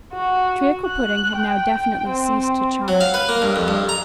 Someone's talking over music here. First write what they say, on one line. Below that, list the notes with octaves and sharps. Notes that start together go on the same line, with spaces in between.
Treacle-pudding had now definitely ceased to charm.
F#4
F#6
G5
C4
F#3
F5
B4
A#3
G2
F2
G2
A#5